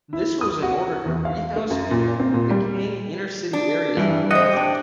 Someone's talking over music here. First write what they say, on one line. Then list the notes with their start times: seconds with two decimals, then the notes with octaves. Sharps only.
This was in order to rehouse people from decaying inner city areas of Manchester.
0.13 E4
0.41 D#6
0.62 F#4
1.05 E2
1.25 F5
1.56 A3
1.71 F#2
1.91 A#2
2.20 C4
2.34 A#2
2.51 G3
3.53 D4
3.97 G2 E3
4.31 A2 C5 D#5 F#5
4.53 D4 G4